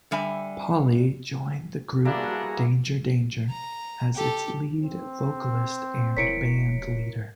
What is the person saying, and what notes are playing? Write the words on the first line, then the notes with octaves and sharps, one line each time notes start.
Poley joined the group Danger Danger as its lead vocalist and bandleader.
D3 G3 E5 G#5
G3 A#3 B3 D4 E4 F#4 G#4 A#5
A#5
G4 A4
C4
D#1 E4 A#4 C#5 B6 C#7 D7